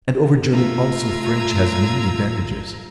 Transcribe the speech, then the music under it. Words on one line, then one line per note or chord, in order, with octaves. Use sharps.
And over German also French has many advantages.
A3 F4 A#5 E6 G#6